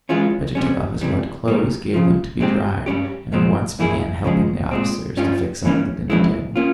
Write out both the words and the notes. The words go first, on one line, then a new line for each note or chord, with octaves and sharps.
Petya took off his wet clothes, gave them to be dried, and at once began helping the officers to fix up the dinner table.
E3 G#3 C#4 F4
C3 G3 C#4
C#2 C3 E3 G3
A#2 G3 A#3
C#2 C#3 F3
A#2 G#3 C4 G4
G2 G3 C#4 G4
C2 A#2 F3 G#3 C4
G2 E3 A#3 E4 G#4
C#3 F3 G#3
A#2 G#3 C4
G2 G3 C#4 F4
G#2 E3 A#3 C#4
F2 C#3 E3 G#3 E4
A#3 C#4 F4